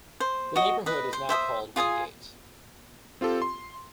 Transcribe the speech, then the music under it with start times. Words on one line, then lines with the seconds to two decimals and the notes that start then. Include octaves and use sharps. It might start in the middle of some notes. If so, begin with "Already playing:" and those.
The neighborhood is now called Wingate.
0.20 C5
0.56 F#4 D#5
0.86 B4 D#5
1.13 C5
1.29 C5 E5 G5 D#6
1.76 F4 G#4 G#5 D#6
3.21 C4 F4 G4 A4
3.42 C6